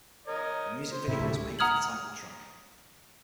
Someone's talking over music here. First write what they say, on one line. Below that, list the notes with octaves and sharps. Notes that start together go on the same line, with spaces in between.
A music video was made for the title track.
A#4 C#5 D#5
C5
A2 C3 G3 E4 E5
D2 A3
F#5 A#5 D#6 F6 G#6 F#7